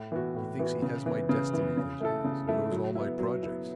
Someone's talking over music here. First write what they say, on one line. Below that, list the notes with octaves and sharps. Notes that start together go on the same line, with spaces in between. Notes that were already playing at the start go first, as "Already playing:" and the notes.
He thinks he has my destiny in his hands, and knows all my projects.
Already playing: A2
E3 B3 F#4
A2
E3 B3 F#4
C#3
E3 B3
C#3
E3 B3
C#3
A3 E4 A4
C#3
A3 E4 A4
F#3
B3 E4
F#3
B3 E4